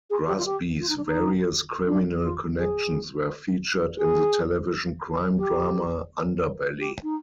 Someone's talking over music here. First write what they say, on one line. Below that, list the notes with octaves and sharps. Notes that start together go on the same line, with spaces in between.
Grassby's various criminal connections were featured in the television crime drama "Underbelly".
G#4
G4
F4
G4
F4
D#4
D4
D#4
D4
F4
G#4
G#4
G4
G4
D#4